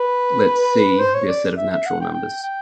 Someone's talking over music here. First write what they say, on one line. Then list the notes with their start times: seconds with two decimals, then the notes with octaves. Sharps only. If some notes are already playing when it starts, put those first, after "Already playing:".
Let "C" be a set of natural numbers.
Already playing: B4
1.00 C5
1.15 C#5
1.29 D5
1.57 E5
1.71 E5
1.86 F#5
2.01 G5
2.14 G5
2.43 G5